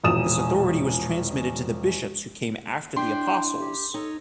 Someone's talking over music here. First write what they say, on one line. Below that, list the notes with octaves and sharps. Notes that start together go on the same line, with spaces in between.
This authority was transmitted to the bishops who came after the apostles.
E1 A#1 D#6 E7
D4 E4 G5 C6
G4
D#4 A4 C#5